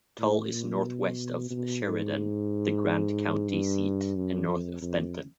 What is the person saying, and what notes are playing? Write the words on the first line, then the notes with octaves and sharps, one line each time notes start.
Tull is northwest of Sheridan, the Grant County seat, and south of Benton.
A2
A#2
B2
B2
G#2
G2
F#2
F2
F2